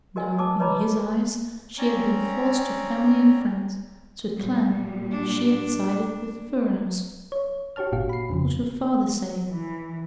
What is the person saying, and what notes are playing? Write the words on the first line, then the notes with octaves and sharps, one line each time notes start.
No, in his eyes she had been false to family and friends--to the clan--she had sided with "furriners." What would her father say?
F#4 A#4 D#5 G#5
A#4 A5 D6 D#6
B4 C#5 D#5 A#5 B5 D6
C4 C#4 C#5 D5 A#5
A#2 G3
D4
C#5
F#4 G4 C#5 A5 F6
G1 A#2 F#4 G4 F5
B5 C7
F2 C#3 F3
E3